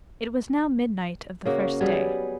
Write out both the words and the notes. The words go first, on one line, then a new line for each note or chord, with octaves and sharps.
It was now midnight of the first day.
C#3 A#3 F#4
F#3 G3 B3 G#4